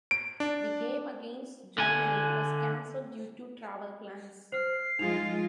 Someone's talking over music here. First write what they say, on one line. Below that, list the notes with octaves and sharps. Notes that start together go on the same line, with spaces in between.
The game against Germany was cancelled due to travel plans.
D7
D4
D3 G#5
C5 F6 C7
F3 G#3 D#4 F4 F7